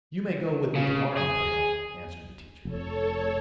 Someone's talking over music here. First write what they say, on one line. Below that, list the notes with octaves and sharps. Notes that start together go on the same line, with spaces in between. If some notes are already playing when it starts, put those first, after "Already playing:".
"You may go with me to-morrow, Plato," answered the teacher.
C#3
G#4
F1 A4 C#5